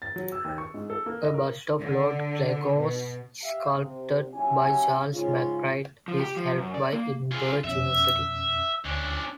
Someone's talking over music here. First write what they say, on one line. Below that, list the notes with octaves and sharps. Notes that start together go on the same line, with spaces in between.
A bust of Lord Glencorse, sculpted by Charles McBride, is held by Edinburgh University.
A6
F#3
E6
D#2
C#6
G#2
A4
A#3
D#5
A#4
D3
B2
G4 E5 F5
C3
D#2 F#3 C#4 E4 G4 G#5
G#2 C#3 C#4 F4
F3
G4
F3
F#2
D5
A#3
F4 G#4
F2 B2 C#4 E5
D2 C#4 D4